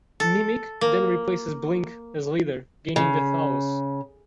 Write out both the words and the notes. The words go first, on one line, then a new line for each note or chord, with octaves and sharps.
Mimic then replaces Blink as leader, gaining the Tallus.
A4
A#3
C#3